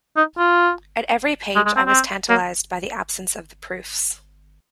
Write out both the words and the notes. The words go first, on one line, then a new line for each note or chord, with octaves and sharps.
At every page I was tantalised by the absence of the proofs.
D#4
F4
G#3
G#3
C4
C4
A#3